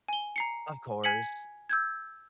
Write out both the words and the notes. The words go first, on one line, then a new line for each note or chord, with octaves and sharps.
Of course.
G#5 G7
A#5 C7 C#7
G#5 G#6 B6 C#7 F#7
E6 G6 G#6